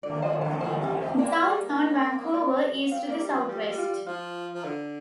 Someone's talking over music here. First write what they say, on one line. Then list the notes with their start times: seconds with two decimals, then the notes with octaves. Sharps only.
Downtown Vancouver is to the southwest.
0.03 D3 D5
0.22 F3 C5
0.41 D3 C5
0.61 F3 C5
0.80 G3
0.99 C4
1.18 A#3 D5
1.33 A#3
1.48 G3
1.62 A#3
2.34 D5
2.92 C4 F5
3.06 A#3 D5
3.20 G3
3.30 C5
3.34 F3
3.49 G3 G4
3.58 F3
3.68 G3
3.78 F4
4.06 F3 F4
4.54 F3
4.65 D3